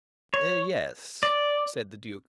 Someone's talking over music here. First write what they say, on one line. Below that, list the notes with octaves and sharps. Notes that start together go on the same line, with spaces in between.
"Yes," said the Duke.
C#5
D5